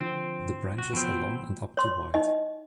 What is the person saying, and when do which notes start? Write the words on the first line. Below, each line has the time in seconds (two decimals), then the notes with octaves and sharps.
The branches are long and up to wide.
0.01 D3 F3 C4
0.78 D#1 C#2 F#4
0.93 F2 B2 E3 F3 C4
1.15 A1
1.77 C#5 C6
2.14 D#4 D#5